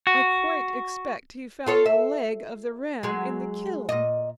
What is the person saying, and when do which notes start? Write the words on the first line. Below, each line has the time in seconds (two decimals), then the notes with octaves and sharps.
I quite expect he found a leg of the ram in the kiln.
0.07 F#4
1.66 F4 A4 C#5
1.86 E5
3.03 F#3 G#3
3.89 A#2 D#5